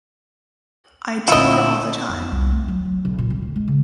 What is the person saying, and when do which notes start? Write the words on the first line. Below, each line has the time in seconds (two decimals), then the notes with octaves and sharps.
I tour all the time.
1.28 D2 A#2 E4 F4 D#5
2.09 F2
2.32 C2
2.51 A3
2.68 F#3
2.85 F#3
3.05 B1
3.19 A#2
3.30 C2
3.42 D2
3.56 G#3
3.68 C#3